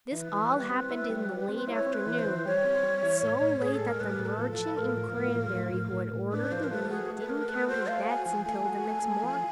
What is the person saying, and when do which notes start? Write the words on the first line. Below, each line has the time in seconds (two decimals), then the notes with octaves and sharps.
This all happened in the late afternoon, so late that the merchant in Cranberry who had ordered the wheat didn't count his bags until the next morning.
0.12 E3 B4
0.33 E3
0.51 G3
0.70 C4
0.91 E4
1.10 G3
1.29 G3
1.48 C4
1.67 E4 C#5
1.86 C4
1.93 B4
2.06 E3
2.19 C5
2.26 E3
2.45 G3 C#5
2.64 C4
2.83 G3
3.03 E3
3.23 A2
3.41 A2
3.61 A2 G#4
3.75 A4
3.81 G#3
3.88 A#4
4.00 A2 B4
4.19 A2
4.26 A4
4.38 F3
4.52 A4
4.58 F3
4.78 A2 A#4
4.97 F3
5.17 A2
5.36 F3
5.55 A2
5.74 A2
5.93 A2
6.14 A2
6.32 D4 B4
6.52 F3 C5
6.63 A#4
6.71 A3 B4
6.90 F#4 G#4
7.10 A3
7.20 B4
7.29 A3 A#4
7.49 A3 B4
7.68 F#4 C5
7.87 A3 F5
8.06 F#4 G#5
8.26 F3 G#5
8.45 A3 G#5
8.66 F#4
8.84 A3
9.03 A3
9.24 F3